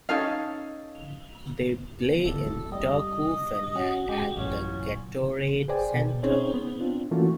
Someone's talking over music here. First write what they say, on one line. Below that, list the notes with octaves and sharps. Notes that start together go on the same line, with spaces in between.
They play in Turku, Finland, at the Gatorade Center.
C#4 D#4 A4 F5
D1 G2 A4
G3 D#5
C#4 F#4
G#3 G4
A1 F#2 A#2 C#4
G#4 B4 C5 D5 G5 G#5
B2
C4 C#4 D#4 G#4 C5 C#5
B3
C4 D4 F4
E3 A3 A#3 C#4 F4 F#4